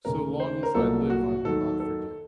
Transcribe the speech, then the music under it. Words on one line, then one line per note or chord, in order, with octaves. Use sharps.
So long as I live I will not forget.
D#2 C#3 A3 A#4
C5
A#4
C2 A#2 F#3 A#3 A4
F#4
D#2 D#3 F#3 A4
A4